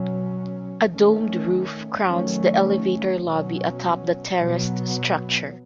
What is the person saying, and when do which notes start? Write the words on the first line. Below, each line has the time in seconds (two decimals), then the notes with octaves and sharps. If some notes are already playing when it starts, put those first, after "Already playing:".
A domed roof crowns the elevator lobby atop the terraced structure.
Already playing: B2 F#3 C#4
0.89 D#3 A3 C#4
2.06 D#3 F#3 A3 C#4
3.23 B2 F#3 C#4
4.40 B2 F#3 B3